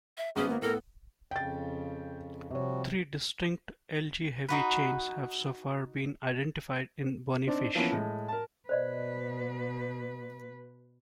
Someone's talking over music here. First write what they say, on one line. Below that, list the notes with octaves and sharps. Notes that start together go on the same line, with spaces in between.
Three distinct Ig heavy chains have so far been identified in bony fish.
E5
G#1 B3 C#4 G#4
A#3
A2 B3 A4 A#4
F2 C#3 G5 A6
C3 F3 G3 F#4 C#5
D#4 F#4 B4
C4 D4 D#4
E3 F3 A#3 B3 C#4
A2 G#3
A#4 A5
B2 B4 C5 D5 D#5